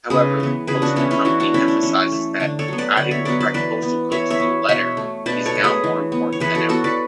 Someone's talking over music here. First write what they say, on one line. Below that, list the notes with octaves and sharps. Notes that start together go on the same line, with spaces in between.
However, the postal company emphasizes that adding the correct postal code to the letter is now more important than ever.
C#3 G#4 B4
E3 B3
C#3 G#4 B4
D4 F#4
E3 B3 C#4 E4
C#4 E4
E3 D4 F#4
D4 F#4
A3 C#4 E4
D4
E3 C#4
A3
D3 D4
A4 C#5
F#3 B3
B4 D5
D3 D5 F#5
C#5 E5
F#3 B3 B4 D5
B4 D5
E3 B4 D5
B3
E3 C#5 E5
C#5 E5
B3
B2 C#5 E5
A3
B2 B4 D5
A4 C#5
A3
G#4 B4
E3
B3
C#5
E3 G#4 B4
F#4 A4
B3 F#4 A4
B4 D5